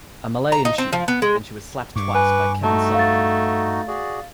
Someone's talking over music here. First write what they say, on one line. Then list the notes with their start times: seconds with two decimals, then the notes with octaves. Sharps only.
A melee ensued and she was slapped twice by Kevin Sullivan.
0.52 A#5
0.65 D#4
0.78 C4
0.93 F3
1.08 B3
1.22 G#3
1.96 G2 C#6 D6
2.15 B4 G#5
2.63 A3 D#4 F#4 A5
2.95 F5 A6
3.88 F#4 G#4 D5